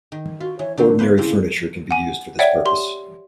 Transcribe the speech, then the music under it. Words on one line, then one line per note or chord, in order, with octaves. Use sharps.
Ordinary furniture can be used for this purpose.
D#3
F4 F#4
E3 C#5
D3 F#3 C4 D4
A#3 B3 B4 C5
C#3 A#3 C4 E4
F#5 G#5
C#5 D5 E5 F#5 G5
G4 C6 G7